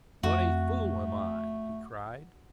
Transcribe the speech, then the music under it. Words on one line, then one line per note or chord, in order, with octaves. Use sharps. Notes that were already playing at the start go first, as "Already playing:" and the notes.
"What a fool am I!" he cried.
F2 A3 F#4